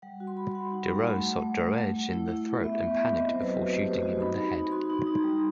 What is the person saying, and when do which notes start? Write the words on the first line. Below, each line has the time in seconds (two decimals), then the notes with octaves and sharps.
Deroux shot Droege in the throat, and panicked before shooting him in the head.
0.02 G3 F#5
0.20 F#4
0.27 C6
0.37 F#4 B5
0.55 F#4 F#5
0.72 D#4
0.89 G3
1.07 A3 F#5
1.24 A3
1.41 A3
1.60 A3
1.76 A3
1.94 A3
2.12 E4
2.28 E4
2.46 E4
2.63 B3 E5
2.81 B3
2.90 E5
2.98 E4
3.15 C4 D#5
3.29 C5
3.33 F#3
3.42 B4
3.50 F#4 G4
3.67 A3 B4
3.85 A3 C5
4.02 F#4 D#5
4.19 D#4 B5
4.38 D#4
4.54 D#4
4.71 F#4 C6
4.90 D#4
5.07 D#4
5.24 G3